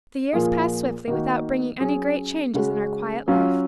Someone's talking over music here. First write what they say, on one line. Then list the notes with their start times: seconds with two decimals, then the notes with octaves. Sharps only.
The years passed swiftly without bringing any great changes in our quiet life.
0.33 A#2 F3 A#3 F4 G#4
1.08 D#3 A#3 D#4 F#4
1.80 F#3 C#4 G#4
2.54 C#3 G#3 C#4 F#4
3.28 F#3 C#4 F4